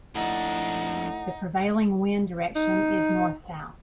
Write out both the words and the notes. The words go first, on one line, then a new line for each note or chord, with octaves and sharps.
The prevailing wind direction is North-South.
F2 A2 D4 D#4 F#5
D#4